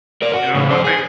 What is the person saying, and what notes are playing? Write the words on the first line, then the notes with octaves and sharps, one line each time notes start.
You know, I think
A#4 D5
F#4
A2 C#3
F2 C5
G#4